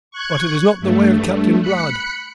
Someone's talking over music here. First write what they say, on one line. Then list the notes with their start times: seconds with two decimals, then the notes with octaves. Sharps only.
But it is not the way of Captain Blood.
0.11 C#6 F#6 G#6
0.80 G2 A3
1.62 B5 F#6 C#7